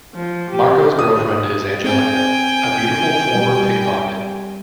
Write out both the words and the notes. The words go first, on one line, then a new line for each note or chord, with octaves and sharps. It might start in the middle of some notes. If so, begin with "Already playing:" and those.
Marco's girlfriend is Angelica, a beautiful former pickpocket.
F3
G4
D#6
C4 G5 G#5
G3